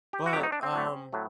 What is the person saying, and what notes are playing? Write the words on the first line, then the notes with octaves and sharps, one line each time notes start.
But, um
G4
F#4
F2 C3 D#3 F#3 A3 G4
D#4
D4
C4
A2 F#3 A3
A2 F#3 A3